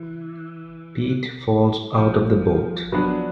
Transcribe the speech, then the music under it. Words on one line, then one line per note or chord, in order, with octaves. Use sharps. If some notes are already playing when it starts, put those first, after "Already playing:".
Pete falls out of the boat.
Already playing: E3
F3
F#3 B3 D4